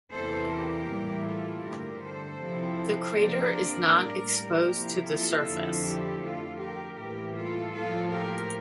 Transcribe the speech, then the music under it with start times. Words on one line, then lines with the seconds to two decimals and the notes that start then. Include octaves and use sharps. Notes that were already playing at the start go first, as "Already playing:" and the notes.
The crater is not exposed to the surface.
0.11 E2 C3 E3 A#3 A4 C5
0.50 G4 A#4
0.89 A2 E3 G3 A#3 E4
1.26 F4 A4
1.64 G2 D3 A3 G4 A#4
2.02 A4 C5
2.40 C3 F3 C4 E4
3.17 C3 F3 A#3 D4 A#4 D5
3.93 A2 G3 A#3
4.31 G4 A#4
4.69 C3 F3 A#3 E4
5.07 F4 A4
5.46 F2 D3 F3 C4 E4
5.84 E4 G4
6.22 F2 D3 A3 F4 A4
6.60 G4 A#4
6.98 A2 E3 G3 A#3 G4 A#4
7.36 F4 A4
7.74 A2 F3 A#3 F4 A4
8.12 G4 A#4